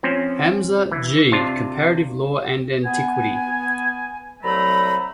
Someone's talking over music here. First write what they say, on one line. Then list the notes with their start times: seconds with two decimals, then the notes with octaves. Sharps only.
Hamza, G., Comparative Law and Antiquity.
0.03 F3 C4 C#4
0.91 E3
1.32 C3 D4 F4
2.85 B3 G#5
4.43 C2 F#3 A3 A#5 B5